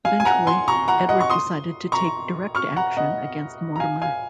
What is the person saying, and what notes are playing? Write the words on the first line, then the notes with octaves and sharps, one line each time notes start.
Eventually, Edward decided to take direct action against Mortimer.
F5 G#5
G#5
F#5 A#5
G#5 C6
A#5 C#6
F#5 A#5
D#5 F#5
C#6
C6 D#6
A#5 C#6
C#6 F6
F#5 A#5
D#5 F#5
A#5
F5 G#5
F5 G#5